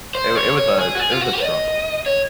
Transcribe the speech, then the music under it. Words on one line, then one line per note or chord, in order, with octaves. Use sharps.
it it was a it was a struggle.
C5
C#5
C#5
G#4
F#4
G#4
F4
F#4
D#5
C#5